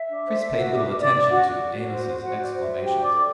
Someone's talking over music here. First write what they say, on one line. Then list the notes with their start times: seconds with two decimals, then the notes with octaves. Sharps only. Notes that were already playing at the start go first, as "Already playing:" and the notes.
Chris paid little attention to Amos's exclamations.
Already playing: E5
0.09 D4
0.25 C5
0.39 A4
0.55 F#4
0.70 D4
0.84 D4
1.00 D4 D5
1.15 D4
1.30 D4 F#4 F#5
1.45 F#4
1.61 F#4
1.75 F#4
1.90 C5
2.07 C5
2.21 F#4 C5 F#5
2.36 F#4
2.42 D5
2.52 C5
2.61 E5
2.67 F#4
2.82 D4 G4 G5
2.97 D4
3.02 D5 D6
3.11 A4